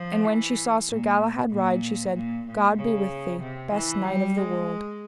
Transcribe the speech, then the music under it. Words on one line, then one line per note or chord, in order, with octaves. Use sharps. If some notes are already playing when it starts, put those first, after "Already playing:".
And when she saw Sir Galahad ride, she said: God be with thee, best knight of the world.
Already playing: F3
E3
A#2
A#2
A#2
A#2
C#3
C3
E3
G3
G#3